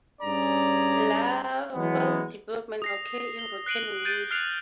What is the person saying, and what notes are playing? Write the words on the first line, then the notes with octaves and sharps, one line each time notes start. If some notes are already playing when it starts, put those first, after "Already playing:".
Larval development occur in rotten wood.
G2 C#4 G#4 D5 A#5
E3 F#3 G#3 B3
D#6 A#6 C7
G7
F#6 C7 D7 D#7 F#7
G6 A6 D7 D#7 F#7
F6 F#6 C7 D7 F7